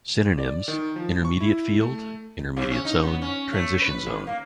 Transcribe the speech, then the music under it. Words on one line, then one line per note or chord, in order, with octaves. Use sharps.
"Synonyms": intermediate field, intermediate zone, transition zone.
D5
D#3
F3
C#6
E4
A3
C3
C#4
D#4
B3
C#4
A3
B4
E2
A#3